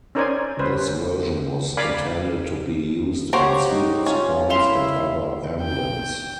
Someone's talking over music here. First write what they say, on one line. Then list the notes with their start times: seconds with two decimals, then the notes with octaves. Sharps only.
This version was intended to be used in seals, coins and other emblems.
0.15 C#4 D#4 A#4 C5 D5 G#5
0.59 C#4 B4 C5
1.77 A#4 D5 F5 G#5 B5 D6
3.33 A#3 F#4 G4 C5 C#5 D6
3.68 D#4
4.06 C#4 F4
4.50 E4 E5 F5 C6
5.61 G5